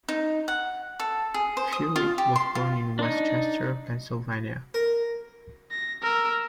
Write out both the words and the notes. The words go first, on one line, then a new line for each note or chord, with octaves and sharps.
Furyk was born in West Chester, Pennsylvania.
D#4
F#5
A4
G#4
C5
D#6
F4
G4
C6
F4
D4 D#4
A#4
A#6
A#4 E6